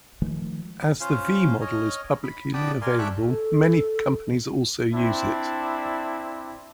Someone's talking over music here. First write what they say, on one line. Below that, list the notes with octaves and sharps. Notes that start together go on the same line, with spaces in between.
As the V-model is publicly available many companies also use it.
D#3 F3 G#3 A3
C#4 F4 C5 F5
C#5 D#5 F6
B5
B3 B4 D5 G5 A5 D#6
A#4 D5 F5 G#5 C6
D4 G4 E5 G5 C#6 F#6
A4
C4 D4 E4